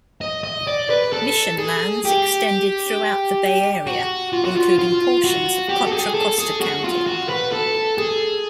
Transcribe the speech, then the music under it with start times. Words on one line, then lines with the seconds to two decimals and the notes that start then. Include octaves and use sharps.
Mission lands extended throughout the Bay Area, including portions of Contra Costa County.
0.21 D#5
0.44 D#5
0.67 D5
0.90 B4
1.13 A4
1.58 G#4
2.05 G4
3.87 F#4
4.33 F4
4.44 F#4
4.55 F4
4.79 F4
5.24 F#4
5.69 G4
5.87 A4
5.93 G#4
6.15 A4
6.39 G#4
6.61 F#4
6.84 F4
7.07 F#4
7.30 B4
7.52 A4
7.98 G#4